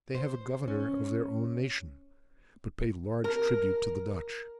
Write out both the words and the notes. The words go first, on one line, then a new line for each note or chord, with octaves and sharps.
They have a governor of their own nation, but pay large tribute to the Dutch.
C5
C#4
A#4